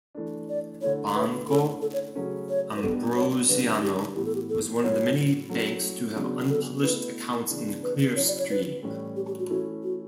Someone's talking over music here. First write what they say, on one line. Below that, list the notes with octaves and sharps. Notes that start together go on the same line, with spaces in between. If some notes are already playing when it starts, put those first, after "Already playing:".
Banco Ambrosiano was one of the many banks to have un-published accounts in Clearstream.
E3 A3 D4
D5
D3 A3 E4 C#5
B4
D3 A3 C#4 E4 A4
A4
C#5
C#3 F#3 A3 C#4
C#5
B4
B2 G3 B3 D4 A4
C#5
D3 G3 D4 B4
G4
A2 E3 B3 G4
A4
G4
A4
A2 F#3 A3 E4 C#5
F#3 A3 C#4 E4
C#3 F#3 B3 D4
A4
B2 A3 E4 B4
C#3 E3 B3 D4
B4
C#3 F#3 C#4 E4 C#5
D5
C#5
B4
A2 E3 G3 C#4
G4
G4
F#4
E3 A3 C#4 E4 F#4
F#4